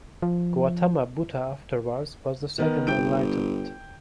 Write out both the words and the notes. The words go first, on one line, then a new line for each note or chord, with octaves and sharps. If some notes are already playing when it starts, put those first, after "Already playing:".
Gautama Buddha afterwards was the second enlightened.
F3
D#3 B3 A#4
G1 G5 G6 D7